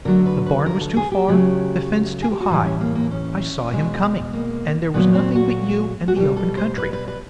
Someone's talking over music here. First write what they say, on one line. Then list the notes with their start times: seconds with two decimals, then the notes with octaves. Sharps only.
The barn was too far, the fence too high; I saw him coming, and there was nothing but you and the open country.
0.05 D3 F#3 A3 A#4
0.26 B4
0.46 B4
0.66 A#4
0.81 A4
0.96 G#4
1.12 G4
1.28 C#3 F#3 A3
2.22 G#4
2.31 G4
2.40 F#4
2.49 A2 E3 G3 F4
2.65 C#4
2.81 A#3
2.95 A#3
3.11 C#4
3.72 B2 G#3
4.33 A#3
4.94 A#2 F#3 A3 B3
5.15 C4
5.35 F#4
6.08 F#4
6.16 B2 G3 G4
6.36 A4
6.57 C5
6.78 B4
6.93 B4
7.08 B4